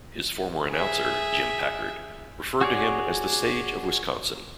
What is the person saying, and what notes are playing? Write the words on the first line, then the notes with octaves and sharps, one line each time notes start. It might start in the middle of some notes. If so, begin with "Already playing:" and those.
His former announcer, Jim Packard, referred to him as The Sage of Wisconsin.
G#4 E5
F#4 G#4 C#5 D5